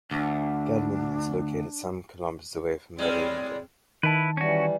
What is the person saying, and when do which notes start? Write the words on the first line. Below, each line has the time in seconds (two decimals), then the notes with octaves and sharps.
Gadmen is located some kilometers away from Meiringen.
0.11 D2 D4
2.98 A2 G3 G#3 C4 D5
4.03 D#3 E4 B4 A5
4.37 E3 G3 C#4 F#4